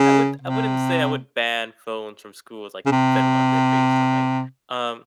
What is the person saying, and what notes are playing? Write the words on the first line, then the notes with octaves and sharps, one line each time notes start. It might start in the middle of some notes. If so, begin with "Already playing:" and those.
I would I wouldn't say I would ban phones from schools like Finland did recently. Um,
Already playing: C#3
C3
C#3
C3